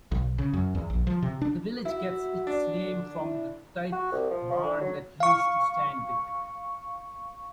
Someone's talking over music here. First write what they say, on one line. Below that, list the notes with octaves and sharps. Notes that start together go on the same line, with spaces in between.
The village gets its name from the tithe barn that used to stand there.
B1
C#3
F#2
E2
A#1
F3
C3
D4
E4 F#4
D4
D3
E4
F#4
C2
F3
F3
D3
F#3
F5 C#6